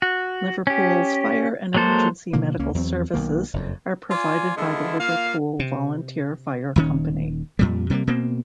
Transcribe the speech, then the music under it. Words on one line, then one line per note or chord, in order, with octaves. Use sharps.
Liverpool's fire and emergency medical services are provided by the Liverpool Volunteer Fire Company.
F#4
C#4 G4
F#3 G#3 A#3 A4 C5
B2 D3 F3 A#3
C#2 A#3 C#4
E2 F#3 C4
B1 D#3 A#3
F#1 F2
F4 D5 G#5
D3 G#3 B3 E4 F4
A#3 F4 F5
C3
D#1 D#3 C#4
F2 A#2 G3
C3 G3 G#3 A#3
B2 A#3 C4